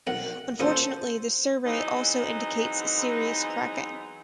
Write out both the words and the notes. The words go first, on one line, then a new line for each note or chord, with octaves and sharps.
Unfortunately, the survey also indicates serious cracking.
B1 A#4 F#5 G5
A#2 C#4 F#4 A4 C5
E3 F#3 G#3 B3 C4 D#4